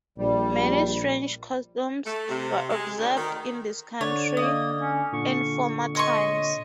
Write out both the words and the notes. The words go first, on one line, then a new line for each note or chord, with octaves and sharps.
Many strange customs were observed in this country in former times.
A#1 G3
A3
C3
G#3
D2
D#3
D3 C#5 D5
A#3 D#5
C#4
A#2 D3 C#6
C#5 D#5 C6 C#6